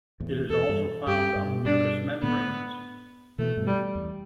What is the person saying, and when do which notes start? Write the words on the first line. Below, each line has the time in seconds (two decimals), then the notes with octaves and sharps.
It is also found on mucous membranes.
0.20 E2 A2
0.50 E2 A4
0.69 G2
1.07 G2 G4
1.36 G2
1.65 G2 B2 D4
2.22 A2 D3 B3
3.38 B2 E3 A3
3.57 G2 B2
3.67 G3
3.95 E2